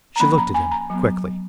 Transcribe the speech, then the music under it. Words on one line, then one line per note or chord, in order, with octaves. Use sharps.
She looked at him quickly.
A#5
F3 A#3 C#4 B5
A#5
G#5
A#5
F#3 B3